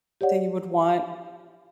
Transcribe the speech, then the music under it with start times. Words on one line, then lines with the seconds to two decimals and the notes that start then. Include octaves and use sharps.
that you would want?
0.21 G4 C#5 D5 F#5